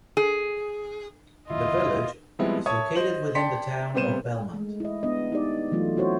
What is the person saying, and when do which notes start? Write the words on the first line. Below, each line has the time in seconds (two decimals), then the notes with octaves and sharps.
The village is located within the Town of Belmont.
0.17 G#4
1.50 F1 D#2 E4 F4 D#5
2.39 F3 G3 G#3 B3 C4 E4
2.66 C#5 E5 A5 C#6 D#6 G#6
2.95 C5 D#5 F#7
3.35 D5 G5 A5 C6 B6 C#7
3.94 C3 G3 B3 C5 D#7 E7
4.54 G#3 A3
4.80 E4 D#5
5.03 B3 D4 D#5
5.32 D#4 G4 D5
5.72 E3 F#3 A3 F4
5.96 B3 C4 E4 F#4 C5 C#5